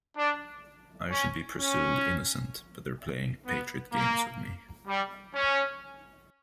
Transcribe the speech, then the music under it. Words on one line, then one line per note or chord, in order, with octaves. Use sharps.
I should be presumed innocent but they're playing patriot games with me.
D4
C#4
C#4
B3
A#3
G3
C#4